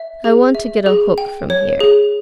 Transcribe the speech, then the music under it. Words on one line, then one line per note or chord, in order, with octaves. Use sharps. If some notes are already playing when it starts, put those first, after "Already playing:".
I want to get a hook from here.
Already playing: E5
G#4
E5
G#4
G5
C#5
G#4